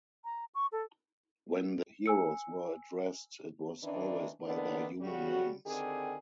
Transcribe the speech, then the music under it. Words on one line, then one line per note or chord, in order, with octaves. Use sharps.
When the heroes were addressed it was always by their human names.
A#5
C#6
A4
G#5 E6 C#7
D#3 E3 C#4 D4
D3 D#3 A#3 B3 D4
C#3 G3 F#4
D3 D#3 C4 G4 G#4